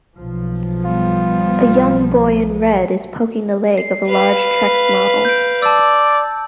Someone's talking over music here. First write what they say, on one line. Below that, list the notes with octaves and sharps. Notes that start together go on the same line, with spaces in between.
A young boy in red is poking the leg of a large trex model.
B1 F3
G3 B3 F4
C7
B4 F5
G6 D7
D5 A5 E6